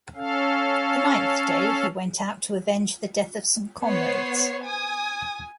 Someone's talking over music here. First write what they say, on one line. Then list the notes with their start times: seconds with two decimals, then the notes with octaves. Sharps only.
The ninth day, he went out to avenge the death of some comrades.
0.16 C#4 A4 F5
3.82 B3 C5 C#5 C7
4.63 G#5 D#6